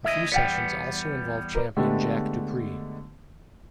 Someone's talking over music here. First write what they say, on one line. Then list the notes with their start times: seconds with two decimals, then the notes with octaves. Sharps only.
A few sessions also involved Champion Jack Dupree.
0.04 D2 E4 D#5 E5
0.32 E2 G3 B3 D5 F#5 G5
1.55 A#4 B4 D5
1.77 D3 G#3 A3 B3 D4 G4